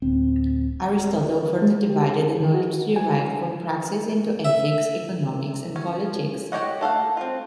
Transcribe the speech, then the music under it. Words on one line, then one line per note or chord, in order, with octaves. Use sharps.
Aristotle further divided the knowledge derived from praxis into ethics, economics and politics.
D1 C4
G#3
G4
G#4
D#3
F#4
G#5
E5
C#4
F#4 G4 C#5 D#5 F#5
A3 A4 F5 F#5
C4 F4